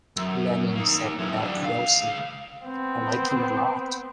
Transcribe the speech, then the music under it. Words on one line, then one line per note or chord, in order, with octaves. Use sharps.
Lennon said about Wilson, I like him a lot.
F#2
A#3 D#4
F#2 E3
F#3 D4
C#2 F5
B3 C4